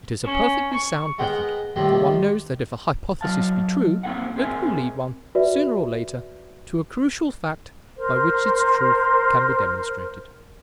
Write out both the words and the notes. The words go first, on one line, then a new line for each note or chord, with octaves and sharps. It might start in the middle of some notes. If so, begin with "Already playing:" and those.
It is a perfectly sound method, for one knows that if a hypothesis be true, it will lead one, sooner or later, to a crucial fact by which its truth can be demonstrated.
C#4
C#6
G#3 B3 A#4 F#5 G5
A2 D#3 F3 G3 A#3
F#3 D#4 F5 A5
A#3 C4 D#4 A4 F5 F#5
C4 G#4 A#4 E5 G#5
F#4 B4 D5 E5
A#4 C5